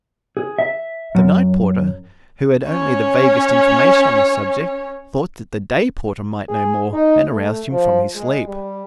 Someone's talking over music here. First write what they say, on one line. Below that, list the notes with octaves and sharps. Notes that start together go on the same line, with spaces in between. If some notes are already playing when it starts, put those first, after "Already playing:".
The night porter, who had only the vaguest information on the subject, thought that the day porter might know more, and aroused him from his sleep.
G#4
E5
F#2
C#4 C#5
G#4
D#4
A3
F3
G#3
G3